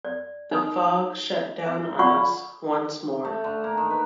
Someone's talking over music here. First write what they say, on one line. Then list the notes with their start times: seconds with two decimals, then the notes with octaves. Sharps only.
The fog shut down on us once more.
0.05 D5
0.51 D#4 D#6
1.66 E5
1.99 F4 D5 F#5 B5 C#6
3.25 A3
3.44 D3
3.64 A#3
3.77 D#3
3.90 B4